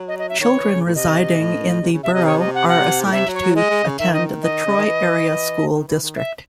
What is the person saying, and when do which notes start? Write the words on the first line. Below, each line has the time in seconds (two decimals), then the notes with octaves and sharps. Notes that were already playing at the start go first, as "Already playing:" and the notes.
Children residing in the borough are assigned to attend the Troy Area School District.
Already playing: F#3
0.08 D#5
0.19 D#5
0.29 E5
0.40 D#3 C#5
0.51 E3
0.73 C#3
0.85 A2
0.95 C3 D#5
1.38 A2
1.82 C3
1.93 C#3
2.03 C3 E5
2.14 C3 D#5
2.26 C#5
2.40 D#5
2.54 F#5
2.68 F#5
3.06 A2
3.12 C3 E5
3.27 F#3
3.34 C#5
3.41 F#3
3.55 G#3 D#5
3.70 G#3
3.85 C#3
3.99 D#3 E5
4.13 D#5
4.43 D#5
4.66 C#3
4.76 D#3
4.86 E3
5.29 E3
5.63 C#3
5.73 D#3
5.88 E3
6.02 D#3
6.17 E5